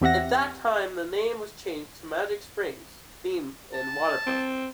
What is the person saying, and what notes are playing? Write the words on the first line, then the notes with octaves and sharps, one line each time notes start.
At that time the name was changed to Magic Springs Theme and Water Park.
E2 C4 G4 E5 F#5 A#6
A5
C4